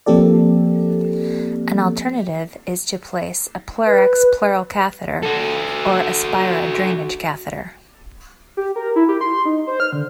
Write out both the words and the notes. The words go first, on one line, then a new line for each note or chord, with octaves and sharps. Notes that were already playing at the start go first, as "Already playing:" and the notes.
An alternative is to place a PleurX Pleural Catheter or Aspira Drainage Catheter.
F3 A#3 C4 G4 A4 D5
B4
F#4 A4
G4
A#4
E4
G4
C6
D#4
C5
F6
D3